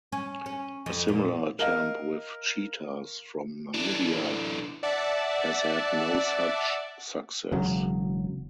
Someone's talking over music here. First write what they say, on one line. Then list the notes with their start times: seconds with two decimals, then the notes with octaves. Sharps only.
A similar attempt with cheetahs from Namibia has had no such success.
0.12 C#4
0.46 C#4
0.86 F2
1.08 A#2
1.59 A#4 D#5 F5
3.74 D3 E3
4.83 D5 E5 F#5 A5
7.52 E1 C#3 F#3